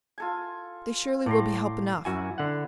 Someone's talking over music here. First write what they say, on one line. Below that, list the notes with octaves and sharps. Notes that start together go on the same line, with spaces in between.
"They surely will be help enough."
F4 A4 G#5
A2 D5 A#5 C6
F#2 E4 F#4 G#5
D3 F#5